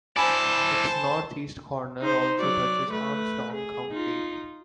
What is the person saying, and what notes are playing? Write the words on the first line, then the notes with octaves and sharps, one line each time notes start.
Its northeast corner also touches Armstrong County.
E4 C5 D5 G#5 A5 B5
D#4 C5
F#3 D5
A3 B4
G#4
D#4 F4